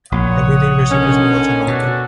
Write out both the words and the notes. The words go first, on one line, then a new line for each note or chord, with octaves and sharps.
Everyday recipes were also noted.
A#1 A#2 C#5 F#5 D#6
D3 D#3 C#4
B2 D4 F#4 A4